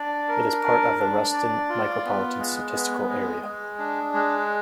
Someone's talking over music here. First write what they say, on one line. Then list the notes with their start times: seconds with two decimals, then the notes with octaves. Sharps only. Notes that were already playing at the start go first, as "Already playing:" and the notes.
It is part of the Ruston Micropolitan Statistical Area.
Already playing: D4 D5
0.29 A#4
0.64 D4
0.98 D4
1.33 D5
1.69 F4
2.04 B3
2.39 G#3
2.74 B3
3.08 G#3
3.43 G#3
3.78 D4
4.13 G#3